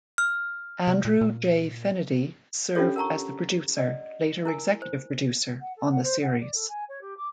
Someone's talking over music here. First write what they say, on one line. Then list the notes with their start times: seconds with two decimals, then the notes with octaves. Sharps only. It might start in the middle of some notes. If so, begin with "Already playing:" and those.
Andrew J. Fenady served as the producer, later executive producer, on the series.
0.18 F6
0.87 C3
1.05 A#2
1.21 A#2
2.75 C#4 D4 F4 G4 A4 C#5
2.96 A#4 F#5 A5 A#5 C#6
3.77 D5 D#5 F#5
4.45 E4 A#4 G#5
4.82 C5
5.60 F#5
5.76 A4
5.91 F#5
6.03 C5
6.21 F#5
6.39 D5
6.53 A4
6.69 G#5
6.88 C#5
7.01 G4
7.17 D6